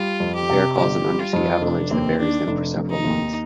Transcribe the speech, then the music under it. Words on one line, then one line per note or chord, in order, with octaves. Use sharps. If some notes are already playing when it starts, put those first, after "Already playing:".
The pair cause an undersea avalanche that buries them for several months.
Already playing: G3 F4
F2
G4
C3
G1 G4
G3
F4
F2
F1 D4
D#2 C4
D#3 D4
F1
F1
D#4
D#2